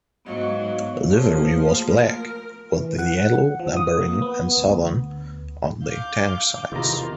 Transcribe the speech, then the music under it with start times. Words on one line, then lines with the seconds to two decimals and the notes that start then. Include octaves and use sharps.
Livery was black, with yellow numbering and 'Southern' on the tank sides.
0.25 G#2 F#3 B3 D#5 F5
0.77 C#5
1.10 F3 A#3 G#4
1.41 A3 A#3
2.06 A#4
2.73 E3
2.99 F#5
3.60 F3
3.77 D#6
4.01 A#3
4.22 B3
4.57 D2
5.84 F5 D6 G6
6.72 E2 C3 D#3 F4 A#5